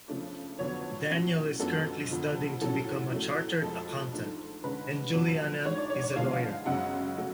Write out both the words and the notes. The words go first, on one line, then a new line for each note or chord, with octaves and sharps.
Daniel is currently studying to become a chartered accountant and Julianna is a lawyer.
C#3 F3 A3 D4
F2 D3 F#3 B3 D4 C#5
A2 F#3 C#4
F#2 F3 G#3 B3 D4 A4
F2 D3 F3
A2 F#3 C#4 A4
A2 F#3 A3
F2 F3 G#3 A4
G#2 F3 A3 D4
D3 G#3 C#4 B4
F2 D3 F#3
G#2 G#3 D4 C#5
D5
C#5
C#5
D3 F3 G#3 B3 F5
F#2 C#3 G#3 F#5
F#3 A3